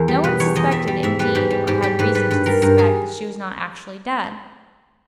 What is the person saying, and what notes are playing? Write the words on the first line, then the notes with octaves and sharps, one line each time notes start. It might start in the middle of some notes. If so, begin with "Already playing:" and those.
No one suspected, indeed, or had reason to suspect, that she was not actually dead.
Already playing: E2 A#4
G3
B2 B4
E2 C#5
E2 D#5
G3 E5
G3
G#2 E5
G3 B4
G#2 G4
G3
G#2 G4
G3 G4
G#2 B4
G3 B4
G2 B4
G3 A#4
G2 A#4
G3 G#4